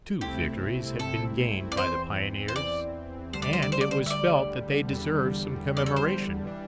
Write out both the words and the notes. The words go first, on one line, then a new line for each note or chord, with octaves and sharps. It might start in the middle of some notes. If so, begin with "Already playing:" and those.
Two victories had been gained by the pioneers, and it was felt that they deserved some commemoration.
C2 C3 A3 C4 E4 G4
A4
D5
E2 E3 C4 C5
C5
D5
D2 D3 G3 C5
D5
C5
D5
C5
D5
C5
E5
D5
E2 D3 G3
D5
A4
C5
E3 G3 D4